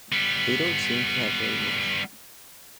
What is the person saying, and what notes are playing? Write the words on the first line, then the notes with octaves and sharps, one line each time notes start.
They don't seem to have very much.
G3 B3